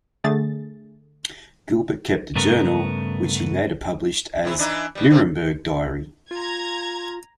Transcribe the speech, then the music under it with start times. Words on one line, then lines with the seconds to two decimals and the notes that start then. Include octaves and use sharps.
Gilbert kept a journal, which he later published as "Nuremberg Diary".
0.24 D3 A3 G#4 A6
2.36 G2 C#3 A3 B3 A#4
4.45 C3 E3 E4
4.58 E3 D4 D#4
4.95 B2 G3
5.10 G#2 C3 C4
6.31 F4 A#5 G#6